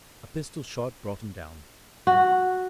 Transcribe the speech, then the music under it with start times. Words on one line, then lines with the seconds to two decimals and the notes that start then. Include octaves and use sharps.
A pistol-shot brought him down.
2.07 F#4